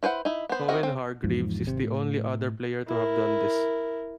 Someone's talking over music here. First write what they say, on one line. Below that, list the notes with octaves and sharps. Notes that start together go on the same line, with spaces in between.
Owen Hargreaves is the only other player to have done this.
E4 B4 C5 F#5
D#4 E4
B3 C5
C4 E4 F#4 A#4 D#5
C4
E2 G#2 F3
G#1 C3
A2
E4 A#4